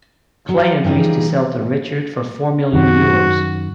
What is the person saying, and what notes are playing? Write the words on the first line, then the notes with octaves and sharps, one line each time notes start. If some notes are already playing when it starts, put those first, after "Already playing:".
Clay agrees to sell to Richard for four million euros.
F#3
E3 G3 D#4 F4 G#4
F#2 D#3 F#4